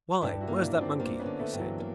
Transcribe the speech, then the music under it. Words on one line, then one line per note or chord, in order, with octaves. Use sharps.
"Why, where's that monkey?" he said.
G2 D4 E4
E4 F#4
A#3 F4
D4 E4
G2
C4 D4
A#3 C4 D4
B3 C#4
D3
A3 B3
G2
E3 F#3
A#3